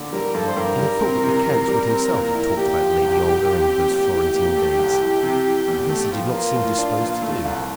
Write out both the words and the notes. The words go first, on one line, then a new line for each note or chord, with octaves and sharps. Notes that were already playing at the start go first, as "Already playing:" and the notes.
He had thought that the count would himself have talked about Lady Ongar and those Florentine days, but this he did not seem disposed to do.
Already playing: A#2 D3
G3 A#4
G2 A4
C5
G2 A#4
G3
C4
C3
C3
G3
C4
A#2
E4
A#2 G4
F3
C2
C2
F3
C4
A#2
E4
A#2
A3
C2
E4
C3
E3
E2
A3
F3 F4
A#3
A2
D4
A#2
A3
C2